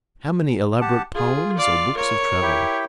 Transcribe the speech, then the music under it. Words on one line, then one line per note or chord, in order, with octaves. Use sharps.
How many elaborate poems or books of travel?
G4 F#5 A5
F4 G#4
D5 F5
A#4 C#5
E4 G4 G5